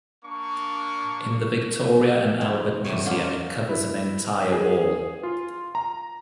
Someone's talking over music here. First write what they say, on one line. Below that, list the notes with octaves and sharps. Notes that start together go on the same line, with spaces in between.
In the Victoria and Albert Museum it covers an entire wall.
A#3 D4 C#6
F2 D#4 E4 D5
E2 A2 C3 C#5
F3 F#3 A#3 C#4 D#4 F4
E4
G#4
F4
A#5